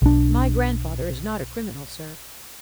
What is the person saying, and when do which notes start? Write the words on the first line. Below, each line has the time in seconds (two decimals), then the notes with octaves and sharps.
"My grandfather is not a criminal, sir."
0.02 B1 D4